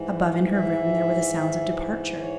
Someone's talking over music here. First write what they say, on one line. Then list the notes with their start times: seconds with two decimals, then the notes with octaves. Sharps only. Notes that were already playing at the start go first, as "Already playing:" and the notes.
Above in her room there were the sounds of departure.
Already playing: G#2 E3
0.52 E5
2.20 C#5